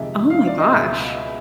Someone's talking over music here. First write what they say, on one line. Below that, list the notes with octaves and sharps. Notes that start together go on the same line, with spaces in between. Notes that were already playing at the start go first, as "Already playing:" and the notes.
Oh my gosh.
Already playing: F2 C3 D#3 G#3 E5
F5
D5
D#5
C#2 B2 G#3 E5